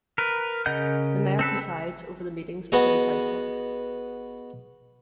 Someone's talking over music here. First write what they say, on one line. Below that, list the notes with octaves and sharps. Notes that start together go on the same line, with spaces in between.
The Mayor presides over the meetings of City Council.
A#4 B4
C#3 A#4 D#5 F#5 G6
C4 A4 B4
B3 F#4 G#4 D#5